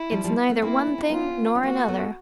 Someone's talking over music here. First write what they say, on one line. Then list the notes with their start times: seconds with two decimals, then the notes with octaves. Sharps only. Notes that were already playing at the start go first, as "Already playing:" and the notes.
It's neither one thing nor another.
Already playing: E4
0.11 F3 G3
0.24 F3 G3
0.49 A3 B3
0.62 A#3 C4 E4
0.87 C#4
0.98 C4
1.10 B3 C#4 F4
1.55 C#4
1.63 A#3 C4 F#4
1.88 A3 B3